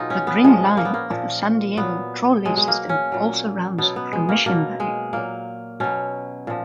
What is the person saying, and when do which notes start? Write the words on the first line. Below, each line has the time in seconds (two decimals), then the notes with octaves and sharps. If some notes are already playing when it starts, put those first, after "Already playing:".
The Green Line of the San Diego Trolley system also runs through Mission Valley.
Already playing: B2 F#3 D#4 F4 G#4
0.10 C#4
0.27 B3
0.44 A#2 F3 G#3
0.77 A#3
0.85 B3
0.94 A#3
1.11 A#2 F3
1.77 A#2 B3
1.83 F#3
2.45 B2 F#3 G#3
2.57 G#3
2.68 A#3
2.89 C#4
3.12 A#2 F#3
3.78 B2 F#3 B3
3.96 B3
4.13 G#3
4.29 A#3
4.46 B2 F#3 A#3
4.80 G#3
5.13 A#2 F#3 A#3
5.80 B2 F#3 C#4
6.47 A#2 F3